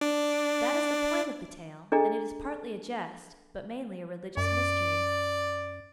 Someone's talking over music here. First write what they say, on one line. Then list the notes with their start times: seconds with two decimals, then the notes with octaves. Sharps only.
That is the point of the tale, and it is partly a jest, but mainly a religious mystery.
0.01 D4 D6
1.92 D4 G#4 A4 D#5 A#5
4.37 F#2 D5